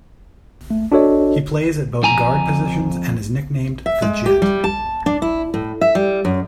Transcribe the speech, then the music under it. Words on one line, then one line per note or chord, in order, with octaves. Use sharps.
He plays at both guard positions and is nicknamed "The Jet".
A3
D4 F#4 A4 C#5 D#5
F2 G#5 A#5
E5
G#3
G4
G3
A5
D4
E4
A2
E5
G3
F#2